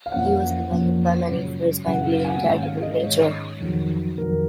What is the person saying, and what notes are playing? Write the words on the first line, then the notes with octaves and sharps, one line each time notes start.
He was beloved by many for his kindly and charitable nature.
F5
F2 F3 A#3 C#4 F#5
F2 F3 A#3 C#4
F#2 C#3 G#3 C#4
F#2 C#3 G#3 C#4 F#5
F5
F5
G#5
F#5
G#2 D#3 G#3 C#4
F5
D#5
G#2 D#3 G#3 C#4 C#5
F2 D#3 F#3
F2 D#3 F#3 A#4